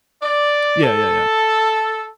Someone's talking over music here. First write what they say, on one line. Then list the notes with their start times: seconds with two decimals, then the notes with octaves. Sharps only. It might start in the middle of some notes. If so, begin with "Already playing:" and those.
Yeah, yeah, yeah.
0.22 D5
0.83 A4